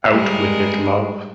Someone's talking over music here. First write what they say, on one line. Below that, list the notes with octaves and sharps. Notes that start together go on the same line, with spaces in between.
Out with it, love.
G3 G#3 A#4